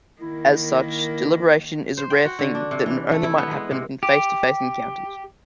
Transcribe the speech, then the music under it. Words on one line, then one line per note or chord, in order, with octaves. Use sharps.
As such, deliberation is a rare thing that only might happen in face-to-face encounters.
D#3 A#3 E4
C5
G5
F#4
D3
D4
C3
E3
A3
E4
B3
G#3
C3
G4